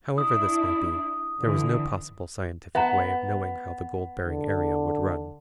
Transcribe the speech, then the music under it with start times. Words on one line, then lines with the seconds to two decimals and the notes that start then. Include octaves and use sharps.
However this may be, there was no possible scientific way of knowing how the gold-bearing area would run.
0.18 D4 E4 D#6
1.41 D3 E3
2.75 B3 E5 F#5 A#5
4.25 D3